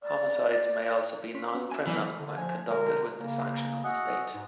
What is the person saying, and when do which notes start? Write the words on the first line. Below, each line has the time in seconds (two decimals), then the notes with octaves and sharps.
Homicides may also be non-criminal when conducted with the sanction of the state.
0.02 D5
1.34 C#4 C6 B6
1.55 B3 C#4 F#4
1.71 E5 G#5
1.87 E3 F#3
2.18 D3
2.37 F3 G#5
2.69 B2 D3 G#3 A#4
3.20 C#3 A#3
3.84 F#4 G#4 D#5 E5 F#5
4.34 G#2